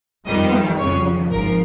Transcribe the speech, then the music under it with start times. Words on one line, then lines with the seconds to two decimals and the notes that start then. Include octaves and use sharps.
"Worn out! worn out!"
0.25 F2 D#3 G3 D#5
0.78 F2 C#3 F3 C#5
1.29 G#1 G#2 F3 A#4